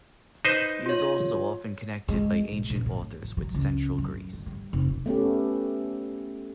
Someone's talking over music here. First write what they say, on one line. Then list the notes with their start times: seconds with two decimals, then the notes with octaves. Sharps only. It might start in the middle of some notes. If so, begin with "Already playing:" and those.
He is also often connected by ancient authors with central Greece.
0.45 D#4 B4 C5
0.86 F4 C#5
2.09 G#3
2.51 A#1
2.70 A#1
2.86 A2
3.24 F3
3.37 F#3
3.54 C#2
3.98 F#2
4.33 G2
4.46 G3
4.73 F1
5.06 A3 B3 C#4 G4